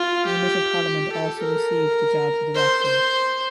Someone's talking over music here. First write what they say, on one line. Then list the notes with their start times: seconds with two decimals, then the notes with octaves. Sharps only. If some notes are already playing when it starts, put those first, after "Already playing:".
Members of Parliament also received the jabs of the vaccine.
Already playing: F4
0.26 G4
1.12 A4
1.40 A#4
2.54 C5
2.83 C5